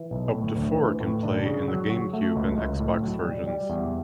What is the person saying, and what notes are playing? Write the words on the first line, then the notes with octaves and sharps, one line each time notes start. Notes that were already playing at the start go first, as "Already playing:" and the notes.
Up to four can play in the GameCube and Xbox versions.
Already playing: E3
B1
A2
D2
E3
A2
D4
C#3
F#3
F#4
A3
C#2
C#2
A2
F#3
G3
G3
E2